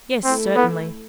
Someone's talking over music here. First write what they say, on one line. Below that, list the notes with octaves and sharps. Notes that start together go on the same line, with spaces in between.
"Yes, certainly."
A3 C4 E4 A4
B3